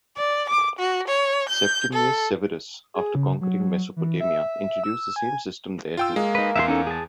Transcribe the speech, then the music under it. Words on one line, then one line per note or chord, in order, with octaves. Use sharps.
Septimius Severus, after conquering Mesopotamia, introduced the same system there too.
D5
D6
F#4
C#5
G6
A4
G#4
C#3
F#3
E3
E5
E6
G#5
F4 G5 E6
G#3 A#3
D#4 B4
E2 E5 F5 C6
C#4 D#4 A4
G#4 A5